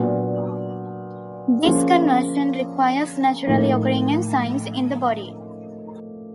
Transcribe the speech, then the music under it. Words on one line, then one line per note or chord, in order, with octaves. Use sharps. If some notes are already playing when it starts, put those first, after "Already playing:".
This conversion requires naturally occurring enzymes in the body.
Already playing: A#2 F#3 B3 D4
F3 A#3 C#4 F4 G#4
A2 F3 A#3 D#4